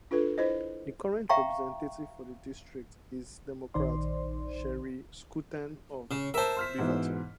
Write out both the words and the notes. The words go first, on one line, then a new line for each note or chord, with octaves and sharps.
The current representative for the district is Democrat Sheri Schouten of Beaverton.
D4 F4 A4 B4
E4 C5 D#5
E5 F5 G5 A#5 C#6
A#1 D#3 D#4 C5 D5 C6
C#3
A#4 C5 E5 A5
C6 F6 B6
G#2 B2 E3